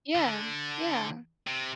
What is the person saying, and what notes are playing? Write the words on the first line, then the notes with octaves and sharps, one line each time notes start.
Yeah, yeah.
D3
C3